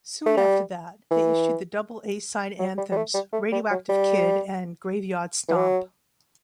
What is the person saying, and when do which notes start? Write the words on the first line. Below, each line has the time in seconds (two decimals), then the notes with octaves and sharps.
Soon after that, they issued the double A-side anthems "Radioactive Kid" and "Graveyard Stomp".
0.26 A3
0.37 G3
1.11 E3
2.59 F#3
2.77 G3
2.91 G3
2.96 A3
3.14 G3
3.32 A3
3.52 G3
3.70 F#3
3.89 G3
5.48 E3
5.56 F#3